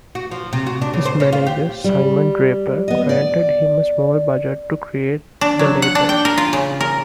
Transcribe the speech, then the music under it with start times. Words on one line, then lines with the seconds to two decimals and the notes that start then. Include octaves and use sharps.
His manager, Simon Draper granted him a small budget to create the label.
0.15 F#4
0.31 F3
0.53 C3
0.67 F#4
0.82 D4
0.94 C#3
1.05 C5
1.20 C#4
1.33 F4
1.47 G4
1.84 G3
2.88 B3 D#5
3.09 D5
5.41 D4
5.59 F#3
5.82 F#5
5.95 D4
6.09 G5
6.25 A#4
6.38 F4
6.53 C#3
6.81 A#4